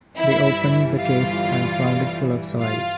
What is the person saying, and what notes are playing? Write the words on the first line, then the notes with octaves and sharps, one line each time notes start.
They opened the case and found it full of soil.
G1 G2 E3 G3 E4 E5
F4 F5
F4 F5